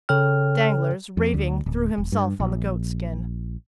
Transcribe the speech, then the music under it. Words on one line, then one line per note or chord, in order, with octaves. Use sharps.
Danglars, raving, threw himself on the goat-skin.
C#3 A4 C#5 G5 F6
F2
D2
D1
E1
G2
A#1